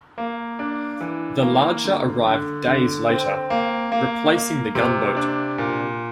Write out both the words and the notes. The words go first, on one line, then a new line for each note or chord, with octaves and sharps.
The larger arrived days later, replacing the gunboat.
A#3
D4
E3
A#3
D3
D3
D3
C4
A#3
A#3
A#3
C3
D4
A#2